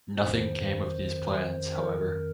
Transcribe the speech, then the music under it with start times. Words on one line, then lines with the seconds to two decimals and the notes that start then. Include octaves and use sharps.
Nothing came of these plans, however.
0.16 F2 D#3 C5
1.75 A#4